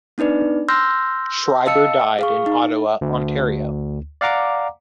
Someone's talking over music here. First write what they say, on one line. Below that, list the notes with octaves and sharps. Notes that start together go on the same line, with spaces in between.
Schreiber died in Ottawa, Ontario.
B3 D4 D#4 B4 D5
C6 E6 F6 G6 A#6
D#5 F5 A5 E6 C#7
G#4 F5 C#6
D#4
D2
D5 F5 F#5 A#5 D6